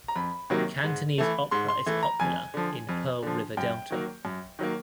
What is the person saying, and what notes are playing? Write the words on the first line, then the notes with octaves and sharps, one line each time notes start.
Cantonese opera is popular in Pearl River Delta.
A#5
F2 B5
C3 D#3 F#3 A#3
G#2
E3 A3
G#2 C6
C6
E3 A3
A#5
F2 G#5
D3 F3
F2
D3 F3
F#2 G5
D#3 F#3 A#3
F#2
D#3 F#3 A#3